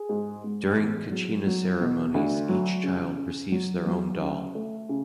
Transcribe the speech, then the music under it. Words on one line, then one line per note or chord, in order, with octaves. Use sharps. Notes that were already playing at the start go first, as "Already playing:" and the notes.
During Kachina ceremonies, each child receives their own doll.
Already playing: G#4
G#2
G#2
E2
F#3
F#3
B2
D2
F#3
C#3
C#3
F#3
F#3
C#3
A3
C#3